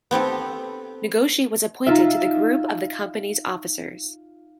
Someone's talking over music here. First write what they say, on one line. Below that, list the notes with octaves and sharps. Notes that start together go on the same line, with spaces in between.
Nagoshi was appointed to the group of the company's officers.
B3 C4 G4 A4
D#4 F4 E5